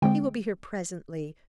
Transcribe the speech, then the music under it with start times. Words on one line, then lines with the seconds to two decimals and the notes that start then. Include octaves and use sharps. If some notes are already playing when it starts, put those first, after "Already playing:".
He will be here presently.
0.02 D3 G#3 C4 G5